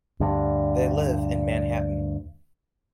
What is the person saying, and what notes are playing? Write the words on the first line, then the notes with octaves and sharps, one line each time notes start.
They live in Manhattan.
D2 G2